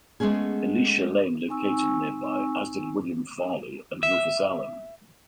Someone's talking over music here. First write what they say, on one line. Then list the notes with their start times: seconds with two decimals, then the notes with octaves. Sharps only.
Elisha Lane located nearby, as did William Farley, and Rufus Allen.
0.20 G#3 A3 B3 C#4 G#4
1.49 C4 D#4 G#5 C#6 E6
4.03 E5